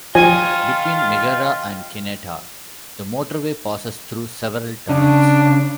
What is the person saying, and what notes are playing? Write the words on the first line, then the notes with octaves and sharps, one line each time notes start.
Between Megara and Kineta the motorway passes through several tunnels.
F3 F4 D#5 G5 G#5
C#3 D4